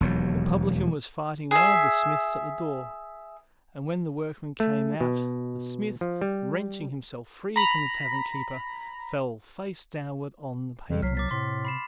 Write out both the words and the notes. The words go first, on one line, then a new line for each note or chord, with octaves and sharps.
The publican was fighting one of the smiths at the door, and when the workmen came out the smith, wrenching himself free from the tavern keeper, fell face downward on the pavement.
E1 D#2 F#3
G#4 E5
A3
B2
F3
G3
A#5 B5
F2 E3 G3
C2 F#3 F6 B6 C7
F#3 D6 A6 B6
A2 C3 C6 B6
B5 C7 E7